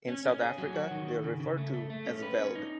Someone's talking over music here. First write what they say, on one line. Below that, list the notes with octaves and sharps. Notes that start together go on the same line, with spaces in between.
In South Africa they are referred to as veld.
C#4
C#4
G#4
F#3
F#4
D#3
D#3
C#3
C#3
A3
A3
A3
C#4
B4
C#4
D#4